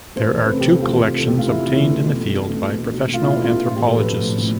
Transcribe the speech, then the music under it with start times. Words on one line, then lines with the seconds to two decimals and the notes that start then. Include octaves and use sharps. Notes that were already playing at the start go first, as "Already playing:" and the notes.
There are two collections obtained in the field by professional anthropologists.
0.16 A3 C5
0.27 C5
0.31 E2
0.38 B4
0.45 C3 A4
0.60 E3 G4
0.75 A3 G4
0.81 F4
0.89 E2
1.04 C3
1.18 E3 A4
1.28 A3 G4
1.38 F4
1.48 E2 E4
1.61 C3
1.69 E4
1.77 E3
1.91 A3 F4
2.05 B2
2.20 A3
2.35 B2
2.49 A3
2.64 B2
2.78 A3
2.93 B2
3.08 A3
3.14 F4
3.22 B2 E4
3.37 A3
3.43 F4
3.51 B2
3.66 A2 F4
3.76 G4
3.81 A2
3.88 A4
3.95 F3 B4
4.10 A3
4.24 A2
4.38 A2